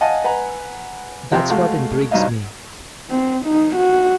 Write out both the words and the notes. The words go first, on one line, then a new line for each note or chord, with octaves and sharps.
That's what intrigues me.
D#5 F5 F#5 G#5 A5
B4 F#5 G#5 A#5
F2 C3 G5
G#3 A3 F#4 A4 F5
C2 G2 F#3 D#4 D#5 F5
C4
D#4
F#4